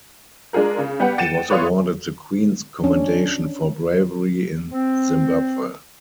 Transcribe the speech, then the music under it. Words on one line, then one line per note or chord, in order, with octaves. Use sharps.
He was awarded the Queen's Commendation for Bravery in Zimbabwe.
G#3 D4 F4 G#4 A#4
C#3
G3 B3 G4 B4 F#5
F#5 G5 A6 C#7 D#7 E7
B4 C#5 D5 F5 C6 D#6
C#4 D4
C4